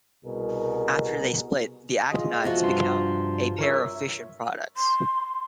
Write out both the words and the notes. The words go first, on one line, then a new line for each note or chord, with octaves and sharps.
After they split, the actinides become a pair of fission products.
C2 B2 G3 B3 G#4 A#4
F4 G#4 D#5
C3 F3 F#4
G2 C6
A#4 C#5 E5
C6